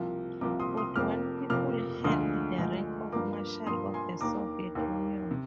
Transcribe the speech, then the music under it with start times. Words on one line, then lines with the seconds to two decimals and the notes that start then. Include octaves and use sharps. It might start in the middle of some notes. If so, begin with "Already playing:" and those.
Forty-one people held the rank of Marshal of the Soviet Union.
Already playing: C2 C3 F3 A#3
0.41 C2 C3 F3 A#3 A#5 D6
0.60 C6 D#6
0.77 C6 D#6
0.95 F1 F2 C3 F3 A#3 D6 F6
1.50 F1 F2 C3 F3 A#3 D6 F6
2.04 D2 D3 F3 G#3 C6 D#6
2.58 D2 D3 F3 G#3
3.12 G2 F3 A#3 A#5 D6
3.66 G2 F3 A#3 C6 D#6
3.94 G#5 C6
4.21 D#2 D#3 A#3 A#5 D6
4.75 D#2 D#3 A#3
5.31 C3